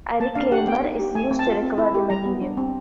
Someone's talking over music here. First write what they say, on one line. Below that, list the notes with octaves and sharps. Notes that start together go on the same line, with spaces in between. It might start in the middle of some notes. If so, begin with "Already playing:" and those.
A reclaimer is used to recover the material.
A#3 A5
D4 F5
G4 F#5
B3 G5
D#4
G4
A3 G#5
C4
A5
F4
C4
E4
G4
G3 A#5
B3
D4
C4